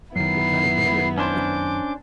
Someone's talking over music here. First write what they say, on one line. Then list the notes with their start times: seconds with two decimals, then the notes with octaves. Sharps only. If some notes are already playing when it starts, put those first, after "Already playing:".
What kind of berry?
0.16 F#2 D#3 B3 E4 C7
1.18 C#4 D4 C5 D6